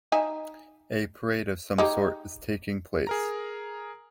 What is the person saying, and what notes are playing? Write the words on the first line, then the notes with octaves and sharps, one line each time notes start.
A parade of some sort is taking place.
D#4 E5 G#5
D#4 G4 G#4
G#4 A#4 A#5